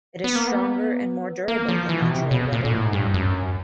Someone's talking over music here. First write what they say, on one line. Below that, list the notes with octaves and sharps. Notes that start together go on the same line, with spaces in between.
It is stronger and more durable than natural rubber.
B3
A#3
B3
A#3
F3
E3
B2
C3
B2
A#2
A#2
A2
G#2
G2
F#2